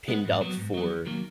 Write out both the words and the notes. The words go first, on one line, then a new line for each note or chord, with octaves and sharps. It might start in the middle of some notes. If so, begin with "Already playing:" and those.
pinned up for,
G#3 B3
G#2
F#3 B3
G#2
F#3 B3
E2
D#3 F#3 A#3